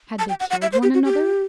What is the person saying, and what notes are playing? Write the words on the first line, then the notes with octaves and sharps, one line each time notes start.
Had they killed one another?
A5
G5
F#5
F#5
E5
C5
G4
F#4
G4